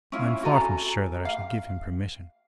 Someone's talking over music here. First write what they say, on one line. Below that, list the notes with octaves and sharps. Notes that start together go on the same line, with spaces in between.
I am far from sure that I shall give him permission.
C#4 E4 F4
F#4 A4 G#5 A#5
F5